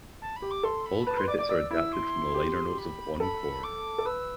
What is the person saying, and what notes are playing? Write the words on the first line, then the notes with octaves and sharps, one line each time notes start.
All credits are adapted from the liner notes of "Encore".
A5
B5
G4
D6
A4 C6
B5
B4 A5
B4 C6
D5 D6
D5 D6
D5 E6
E4 E6
C6
G4
B5
A4 B5
D6
A4
B4 E6